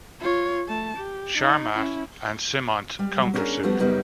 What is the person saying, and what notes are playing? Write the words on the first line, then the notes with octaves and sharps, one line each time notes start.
Sharmat and Simont counter-sued.
F4 C#5
A3 A5
G4
D#4
C#4 E4
G3
F#3
C#4 D4 E4 F#4 G#4 A#4
F3 G3 A3 B3 D4 F#4
F#2 C#3 F#3 G3 B3 D#4